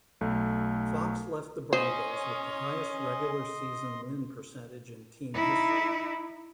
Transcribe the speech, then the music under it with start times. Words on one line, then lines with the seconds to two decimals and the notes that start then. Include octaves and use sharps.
Fox left the Broncos with the highest regular season win percentage in team history.
0.21 B1 A3
1.73 C#4 C5 D#5 C6 D#6
5.34 D#4 E4